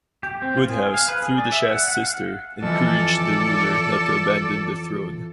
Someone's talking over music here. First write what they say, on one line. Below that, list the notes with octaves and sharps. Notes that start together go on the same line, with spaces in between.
Woodhouse, through the Shah's sister, encouraged the ruler not to abandon the throne.
G4
C4
F4
G#4
F5
B4
G#4
D5
E5
F#5
F#5
F5
F2 E3 A4 D5